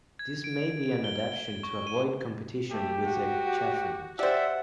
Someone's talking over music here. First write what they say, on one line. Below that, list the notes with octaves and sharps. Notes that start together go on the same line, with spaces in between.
This may be an adaptation to avoid competition with the Chaffinch.
G#6
D7
G7
G7
C#6
D#7
A3 G4
F#4
G4 C5 D5 E5 F#5